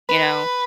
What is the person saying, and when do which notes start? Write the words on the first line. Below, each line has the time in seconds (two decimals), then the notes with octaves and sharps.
you know?
0.09 B4